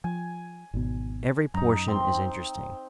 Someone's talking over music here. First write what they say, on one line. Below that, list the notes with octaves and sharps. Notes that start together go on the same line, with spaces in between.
Every portion is interesting.
F3 G#5
G#1 B2
F#2 D#4 A#5
C4 C6